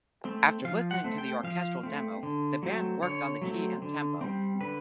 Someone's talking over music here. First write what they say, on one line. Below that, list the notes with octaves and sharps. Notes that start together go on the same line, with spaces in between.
After listening to the orchestral demo, the band worked on the key and tempo.
A3 C4
F3 F5
F#5
A3 C4
G5
F3 F5
A3 C4
D3
F#3 A3 C4
D3 C#5
F#3 A3 C4
D3
G3 C4
D3 B4